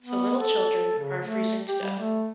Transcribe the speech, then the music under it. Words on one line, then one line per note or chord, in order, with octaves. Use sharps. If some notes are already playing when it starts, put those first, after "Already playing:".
The little children are freezing to death.
B3
A4
C#3
A3
G4
G3
A3